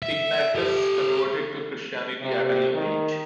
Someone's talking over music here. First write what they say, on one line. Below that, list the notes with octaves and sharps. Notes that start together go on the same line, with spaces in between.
Ignatius converted to Christianity at a young age.
E5
G4 A4
C3
D#3